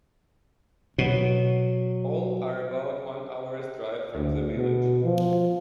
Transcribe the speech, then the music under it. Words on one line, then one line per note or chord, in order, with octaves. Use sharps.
All are about one hour's drive from the village.
B2 F#3
D2
B2
F3